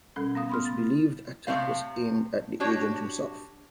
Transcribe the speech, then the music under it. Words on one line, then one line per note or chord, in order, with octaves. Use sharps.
It was believed attack was aimed at the agent himself.
B2 G3 C#4 A4
B3 F5 D#6
B5 C6 F6
A6
E4
A2 C3 A3 C4 F5
D4 F#4 G4 C#5